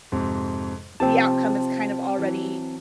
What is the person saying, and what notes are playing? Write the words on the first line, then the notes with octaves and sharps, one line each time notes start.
the outcome is kind of already
F2 G#2 C3
C3 F3 C4 A5
E3 F#3